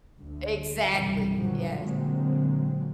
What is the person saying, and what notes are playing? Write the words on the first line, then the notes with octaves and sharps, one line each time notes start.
Exactly, yes.
D2
B1 G2 C3 E3 G3
F#2 A#2 D3 D#3 F3 F#3
A#2 D3 F#3 G#3 A#3 C4